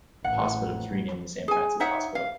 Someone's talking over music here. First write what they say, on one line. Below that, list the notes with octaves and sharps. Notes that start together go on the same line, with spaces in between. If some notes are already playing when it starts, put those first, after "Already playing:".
The hospital was renamed the Saint Francis Hospital.
A1 F#5
G#4 G#5
D#4 C#5 E5 F#5
F5